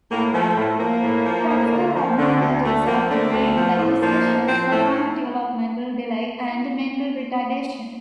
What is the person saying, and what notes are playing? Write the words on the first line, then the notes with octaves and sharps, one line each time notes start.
Structural abnormalities of the brain lead to seizures, profound developmental delay, and mental retardation.
A2 A#3
F3 A3
A2
F3 A#3
A2
F3
A2
D2
F3
D3
D2
D2 A3
F3 A#3
D3 A3
D2
F3
A2
F3 A#3
A2
F3 C4
A2 A3